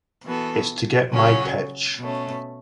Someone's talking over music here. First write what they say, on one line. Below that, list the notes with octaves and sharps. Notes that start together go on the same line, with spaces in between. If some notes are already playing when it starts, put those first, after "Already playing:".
It's to get my pitch.
E3 B3 F#4 A4
C#3 F#3 C#4 F#4
B2 A3 C#4